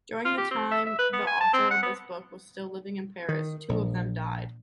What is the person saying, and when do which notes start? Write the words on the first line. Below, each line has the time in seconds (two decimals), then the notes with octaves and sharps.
During the time the author of this book was still living in Paris, two of them died.
0.25 F4
0.38 G4
0.51 C4
0.71 E5
0.86 E5
0.99 B4
1.13 B3
1.27 G#5
1.40 A5
1.53 C4
1.70 F#5
1.83 B3
3.29 D#3
3.69 A#1